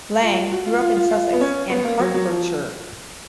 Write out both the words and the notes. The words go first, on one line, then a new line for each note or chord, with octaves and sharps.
Lang grew up in Sussex and Hertfordshire.
F4
F#4
F4
F4
F4
F4
B3
C#4
B3
A#3
F#3
F#3
F3